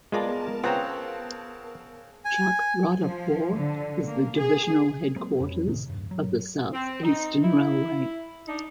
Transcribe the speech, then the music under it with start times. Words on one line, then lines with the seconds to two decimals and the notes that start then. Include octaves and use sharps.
Chakradharpur is the divisional headquarters of the South Eastern Railway.
0.12 G#3 B3 F4 A#4 D5 A5
0.64 C#3 C4 F4 B4 C#5 F#5 G5 A#5
2.25 G#5
3.03 F3
3.58 D3
4.06 A#3
4.36 G#4
5.16 F#3 G#3 A#3 C4
5.40 F2 B3 C#4
5.67 D2 A2 C3 D#3
5.90 D1 A#1 G2
6.11 F#3
6.73 C4
7.03 D#4
7.43 E4
8.47 D4 D#4